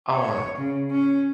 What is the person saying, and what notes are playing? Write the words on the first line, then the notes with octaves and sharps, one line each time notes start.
I want
C#5
C#3
C#4